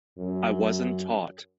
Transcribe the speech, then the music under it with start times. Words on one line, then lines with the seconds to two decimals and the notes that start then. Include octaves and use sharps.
I wasn't taught.
0.18 F#2